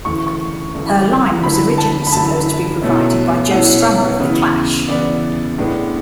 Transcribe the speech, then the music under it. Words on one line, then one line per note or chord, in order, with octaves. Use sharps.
Her line was originally supposed to be provided by Joe Strummer of The Clash.
D2 C#3 E3 C#6
C#6
D2 C#3 E3
F#2 D3 A3 E4 B5
A5
B5
F#2 D3 A3 E4 A5
B2 A3 C#4 E4
B2 A3 C#4 E4 F#5
C#3 E3 B3 E4
C#3 E3 B3 E4 D5
A2 G#3 B3 D4